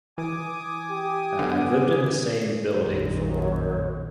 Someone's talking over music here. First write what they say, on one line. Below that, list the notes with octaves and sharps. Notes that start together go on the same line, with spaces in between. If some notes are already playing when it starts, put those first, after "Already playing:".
Uh, I've lived in the same building for
E3 G#5 D6 D#6
G4
D3 B3
A#1 F2 A#2 D#3